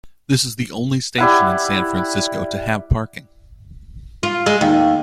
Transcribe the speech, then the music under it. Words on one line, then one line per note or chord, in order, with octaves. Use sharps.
This is the only station in San Francisco to have parking.
G3 E4 F#5
F4
G#3
D#2